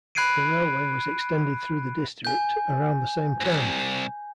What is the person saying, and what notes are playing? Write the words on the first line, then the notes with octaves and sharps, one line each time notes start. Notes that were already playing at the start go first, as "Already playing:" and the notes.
The railway was extended through the district around the same time.
B5 F#6 G#6 C7 D7 D#7
G#5 G6
C2 G#2